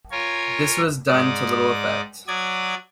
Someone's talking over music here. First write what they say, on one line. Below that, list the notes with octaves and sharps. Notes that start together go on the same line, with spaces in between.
This was done to little effect.
F4 A#4 C#5 G#5
G#2 D5 D#6
F#3 D5 D#6 G#6